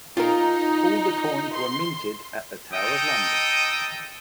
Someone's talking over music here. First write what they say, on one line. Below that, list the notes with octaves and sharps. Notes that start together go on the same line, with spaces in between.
All the coins were minted at the Tower of London.
D#4 F4 A#4
C6
D#4 A4 D#5 G5 D#6